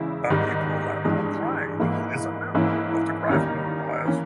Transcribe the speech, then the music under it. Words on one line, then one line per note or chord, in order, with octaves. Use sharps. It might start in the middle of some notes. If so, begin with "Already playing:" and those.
An Equilateral Triangle is a member of the craftsman class.
Already playing: E2 C#3 G#3 E4
G#2 D#3 G3
G2 E3 G#3
G#2 E3 A#3 E4
G#2 E3 A#3 C#4 E4
D#2 D#3 G3 A#3 C#4
E3 A#3 C#4